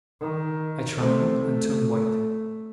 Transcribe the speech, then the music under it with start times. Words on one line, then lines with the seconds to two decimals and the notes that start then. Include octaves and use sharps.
I trembled, and turned white.
0.21 D#3
0.97 C3 A3
1.40 A3